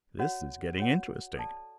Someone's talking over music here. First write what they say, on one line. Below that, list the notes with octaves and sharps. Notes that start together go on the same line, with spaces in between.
This is getting interesting!
F#4 C#5 F#5
F#4 C#5 F#5
A4 D5 A5